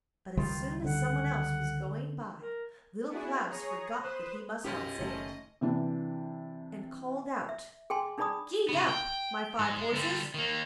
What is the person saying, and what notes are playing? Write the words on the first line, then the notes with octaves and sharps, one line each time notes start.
But as soon as someone else was going by Little Klaus forgot that he must not say it, and called out 'Gee-up, my five horses!'
C#2 D#3 G3 F4
D3 F#5
A#4
B3 D4 E4 F#4 G#4
G#4 C#5 A#5 D#6
B4 C5 D#6 F#6 E7
B1 F#2 C#4 F4 G4 D#5
F#1 D#3 A3 C#4
C3 E3 D4
E5
G#4 G5 G#5 C6
D4 D#4 G#4 D5 B5 D#6
C#3 B3
G5
G#2
G#3
D3 G3
D#3 A#3